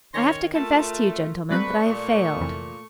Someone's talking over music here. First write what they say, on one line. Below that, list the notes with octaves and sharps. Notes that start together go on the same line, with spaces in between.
I have to confess to you, gentlemen, that I have failed.'
D#3 C#4 C#5 C6 A#6
A3 F4 A#4 A5
F#3 G3 A3 C4 B4 D5 C#6
A#2
F2 C3 E3